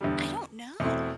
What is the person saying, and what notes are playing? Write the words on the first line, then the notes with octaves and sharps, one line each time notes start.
I don't know.
E2 D3 G3
E2 B2 A3 C4 E4